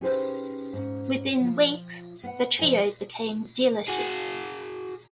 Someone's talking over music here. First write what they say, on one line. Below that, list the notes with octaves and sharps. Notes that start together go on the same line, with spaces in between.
Within weeks, the trio became Dealership.
C#4 D#4 G4 G#4 B4 C5
G#2 C#4
F3 F4
B3 F#5
C3 E3 F3 A4 G#5
F#4 G#4